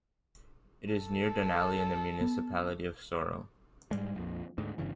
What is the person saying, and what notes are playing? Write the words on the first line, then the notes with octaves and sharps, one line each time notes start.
It is near Dunalley in the municipality of Sorell.
A4
B3
G#2 G3 G#3
A#1 F2
D2 G#2
G1 G2 C#3 E3